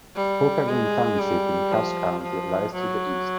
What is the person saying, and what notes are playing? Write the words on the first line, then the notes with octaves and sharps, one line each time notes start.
Pokagon Township in Cass County lies to the east.
G3
G#3
G3
F3
F3
F#3